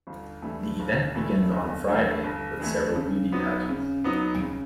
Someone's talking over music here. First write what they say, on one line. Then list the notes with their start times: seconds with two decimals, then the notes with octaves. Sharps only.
The event begins on Friday with several beauty pageants.
0.07 G1
0.42 G2 E3 A3
0.79 G1
1.15 G2 E3 A3
1.51 G1
1.88 G2 E3 A3
2.24 G1
2.60 G2 E3 A3
2.96 C#3
3.32 F#3 B3 D#4
3.69 C#3
4.04 F#3 B3 D#4
4.40 C#3